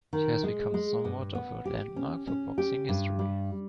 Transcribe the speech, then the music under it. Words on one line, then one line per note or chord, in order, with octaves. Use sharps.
It has become somewhat of a landmark for boxing history.
D#3
G#3
G#3
G2
B3
G4
C#4
C#4
G4
G2
G3